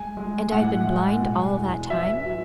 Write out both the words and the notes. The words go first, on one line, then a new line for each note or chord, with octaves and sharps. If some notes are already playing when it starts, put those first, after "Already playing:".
"And I've been blind all that time?"
Already playing: G#3 G#5
G#3
A2 F#5
G#3
B2
E2
F#3 E5
F#3